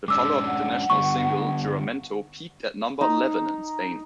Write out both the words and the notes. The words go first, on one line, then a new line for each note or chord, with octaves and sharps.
The follow-up international single, "Juramento" peaked at number eleven in Spain.
G#3 C#4 D4 D6 E6
F#5
D3 G3 B3 C#6
D#4